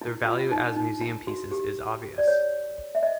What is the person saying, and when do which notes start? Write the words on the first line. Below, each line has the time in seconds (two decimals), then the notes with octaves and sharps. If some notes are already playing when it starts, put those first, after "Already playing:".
Their value as museum pieces is obvious.
0.01 E4
0.26 F4
0.51 D#4
0.76 D#4
1.01 E4
1.27 F#4
1.51 G4
2.18 D5
2.28 C#5
2.95 E5
3.03 D#5